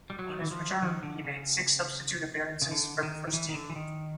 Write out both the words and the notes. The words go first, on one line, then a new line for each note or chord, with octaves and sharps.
On his return, he made six substitute appearances for the first team.
G3
F#3
D#3
E3
F3
D#3
D3
C#3
C#3
D3
D#3
D#3
E3
D#3
D3
E3
D#3